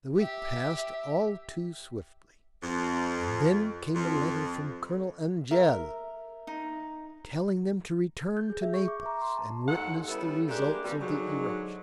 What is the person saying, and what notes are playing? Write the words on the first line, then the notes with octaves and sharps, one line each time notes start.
The week passed all too swiftly, and then came a letter from Colonel Angeli telling them to return to Naples and witness the results of the eruption.
G4 E5
F2
F2
A#4 E5
D#4
G6
G#4
E5
C#6
D6
A#5
C6
A5
D#2 D#3 A4 F#5
G3 B3 C#4 E4 A4
G#3 A#3 D4 G4
F2 B2 G3
G#2 D3 D#3 F#3